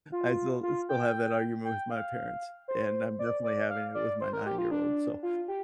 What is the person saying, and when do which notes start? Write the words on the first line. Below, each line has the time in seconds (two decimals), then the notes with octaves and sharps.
I still still have that argument with my parents, and I'm definitely having it with my nine-year-old, so
0.12 F4
0.63 F4
0.89 G5
1.65 G5
1.90 F5
2.68 C5
3.19 D5
3.44 D5
3.69 F5
3.95 D5
4.21 C5
4.33 A#4
4.46 G4
4.58 F4
4.71 D4
5.23 F4
5.48 G4